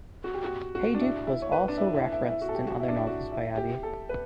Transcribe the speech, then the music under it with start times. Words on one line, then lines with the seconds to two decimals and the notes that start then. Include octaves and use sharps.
Hayduke was also referenced in other novels by Abbey.
0.24 F#4
0.34 G4
0.44 F#4
0.75 F#4
0.94 D4
1.01 E4
1.27 E4
1.42 C#5
1.52 B4
1.68 D4
1.77 E4
1.94 E4
2.12 E4
2.29 E4
2.42 F#4
2.49 A4
2.55 G4
2.67 F#4
2.80 E4
2.88 D4
2.96 E4
3.07 F#4
3.32 E4
3.57 G4
3.83 A4
4.09 B4